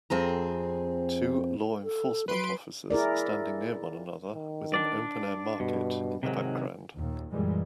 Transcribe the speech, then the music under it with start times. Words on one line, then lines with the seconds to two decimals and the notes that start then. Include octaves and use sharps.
Two law enforcement officers standing near one another with an open air market in the background.
0.10 F2 C4 G#4 A#5
1.84 A4
2.28 F#3 B4 C6 D7
2.90 E4 G#4 A#4 D5
4.35 D#3
4.74 D4 D5
5.60 G2 B2
6.23 G#2 C3 D#3 F#3
6.93 D#2 A#2
7.32 F#2 A#2 E3 G3 G#3